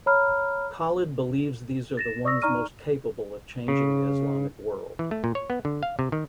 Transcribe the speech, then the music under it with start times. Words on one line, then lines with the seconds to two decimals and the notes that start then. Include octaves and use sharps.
Khaled believes these are the ones most capable of changing the Islamic world.
0.06 C#5 A#5 B5 F6
1.97 A6 A#6 E7
2.24 D5 C#6 D#6 E6 A#6
2.42 D#4 D5 A#5 C#6 F6 D#7
3.68 C#3
4.99 E3
5.11 A3
5.24 A#2
5.35 C#5
5.50 B3
5.65 D3
5.83 F5
5.99 C3
6.12 D#3